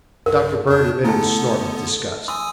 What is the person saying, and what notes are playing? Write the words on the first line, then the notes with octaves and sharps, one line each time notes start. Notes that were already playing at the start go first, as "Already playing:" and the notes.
Dr. Bird emitted a snort of disgust.
B1 G2 A#4
F2 D4
D3 A3 B3 E4 A5
G#5 C6 D#6 E6